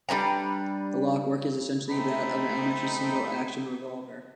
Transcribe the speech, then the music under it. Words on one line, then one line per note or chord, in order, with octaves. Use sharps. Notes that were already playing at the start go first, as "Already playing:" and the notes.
The lockwork is essentially that of an elementary single action revolver.
G3 D4 B4 A#5
A3 C4 D#4 B5